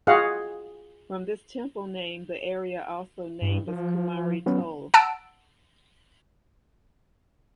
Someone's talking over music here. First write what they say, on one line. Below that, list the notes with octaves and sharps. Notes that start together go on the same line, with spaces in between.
From this temple name the area also named as kumari tole.
F4 F#4 G#4 D#5 F5 F#5
G2
F3
F#3 B3 C#4
F#5 A5 E6 D7